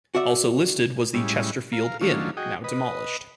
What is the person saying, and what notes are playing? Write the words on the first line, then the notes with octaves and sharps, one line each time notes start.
Also listed was the Chesterfield Inn, now demolished.
F#4 D5 E5
A2 G3 G#3 C#4 E4
A#4 F5
D#3 F#3 A3 C#4 D4 F4
F#4 G#4 D#5 G5
B4 D#5